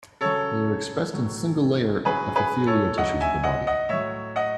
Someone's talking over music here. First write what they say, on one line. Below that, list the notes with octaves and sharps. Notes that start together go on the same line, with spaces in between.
They are expressed in single layer epithelial tissues of the body.
C#3 F#3 A4 C#5
A2 F#3
C#3 F#3 G#4 B4
G#4 B4
A4 C#5
C#3 F#3 D#5 F#5
E5 G#5
D#5 F#5
D#5 F#5
A2 F#3 C#5 E5
D#5 F#5